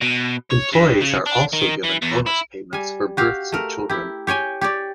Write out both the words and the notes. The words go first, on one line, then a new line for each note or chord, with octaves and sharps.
Employees are also given bonus payments for births of children.
B2
C#5
G2
C#3
D4
D#3
E3
E2
E4
G3 G#5
F#4 G4 F5
A3 A#4
E4 G4
G4 C#5 G5 G#5
G4 C#5 D5